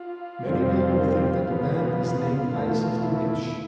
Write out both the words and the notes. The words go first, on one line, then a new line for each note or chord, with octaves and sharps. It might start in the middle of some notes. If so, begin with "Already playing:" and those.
Many people think that the band is named Eyes of the Witch.
Already playing: F4
F2 C3 G3 C4
E2 B2 B3
F4
E2 B2 A3
E4